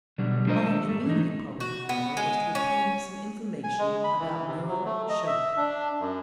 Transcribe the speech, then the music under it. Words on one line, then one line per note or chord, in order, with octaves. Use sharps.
My immediate problem, however, was to obtain some information about Merle Shirley.
B2 D3 F#3 G3
G#3 D4 F4 A#4 C5 D#5
D#2 A4
G#2 A3
E3 D#4
F#4
B3
G#3
C#4
G#5
G#3
B5
E3
C3
F#3
A3
D#5
E5
D4
F#2